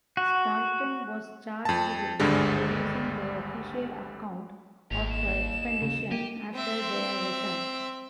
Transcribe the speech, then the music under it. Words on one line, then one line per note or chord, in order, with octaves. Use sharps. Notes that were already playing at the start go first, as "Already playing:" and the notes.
Staunton was charged with producing the official account of the expedition after their return.
F#4
F2 A5
G#1 D2 G2 D3 G3 G#3
G#1 D#2 F7
E7
C#3
A#3 G4 D#7
C4 E5